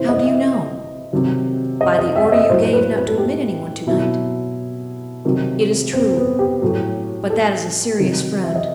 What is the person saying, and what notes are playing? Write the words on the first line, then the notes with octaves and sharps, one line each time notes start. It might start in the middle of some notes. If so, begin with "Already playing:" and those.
"How do you know?" "By the order you gave not to admit any one to-night." "It is true; but that is a serious friend."
Already playing: C3 E3 E4 C5
D#5
E5
C3 D#3 F#3
D#5
D#5
E5
E5
D#5
A2 F#3 C5
C5
B4
B4
A4
G4
B2 F#3 E4
C3 D#3 F#3
C4
B3
G4
A2 F#3
A4
C3 D#3 F#3
E5
D#5